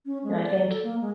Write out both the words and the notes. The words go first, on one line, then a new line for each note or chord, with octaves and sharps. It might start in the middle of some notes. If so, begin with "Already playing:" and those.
know, I think
C#4
G#3
D5
A4
A#3
G#3